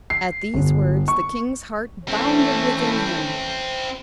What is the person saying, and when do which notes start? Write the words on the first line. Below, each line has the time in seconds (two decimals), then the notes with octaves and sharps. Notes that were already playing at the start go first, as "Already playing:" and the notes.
At these words the king's heart bounded within him.
0.10 C7
0.54 G1
1.08 C#6
2.08 E3 A3 C4 C#4 E4